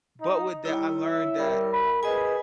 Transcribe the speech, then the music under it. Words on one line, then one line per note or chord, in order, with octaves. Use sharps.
But with that, I learned that
D#4
G3 E4 C#5
E5
G3 A#4
B5
G#4 B4 D#5 G#5